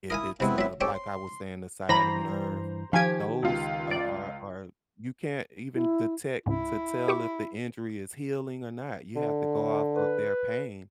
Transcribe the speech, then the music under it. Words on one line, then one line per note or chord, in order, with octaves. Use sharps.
if it's, uh, like I was saying, the sciatic nerve, like those a are are you can't even detect to tell if the injury is healing or not, you have to go off of their pain.
E4 A#4 F5 G#5 D#6
C3 G#3 B3 C4 E4
F#3 E5
G#3 C4 G4 A4 C#5 G5
C6
G2 E3 C5 A#5 B5 A#6
D#3 F3 G4 G#5 G#6
C#2 F4
D5
E4
C#2 G#2 E4
G4 C#6 D6
D3
B4